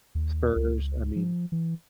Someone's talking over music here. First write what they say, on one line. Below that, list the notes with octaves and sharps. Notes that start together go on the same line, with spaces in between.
Spurs, I mean
D#2
C#2
F3
E3